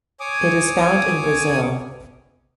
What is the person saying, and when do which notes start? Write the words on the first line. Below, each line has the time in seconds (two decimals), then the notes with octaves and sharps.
It is found in Brazil.
0.20 C#5 G#5 D6 D#6